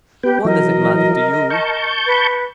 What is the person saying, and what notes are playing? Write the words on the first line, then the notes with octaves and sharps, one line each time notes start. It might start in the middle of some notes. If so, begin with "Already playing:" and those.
"What does it matter to you?"
B3 G4 B4 G5
E3 F#3 A#4 D#5
A5 C#6 G6
B4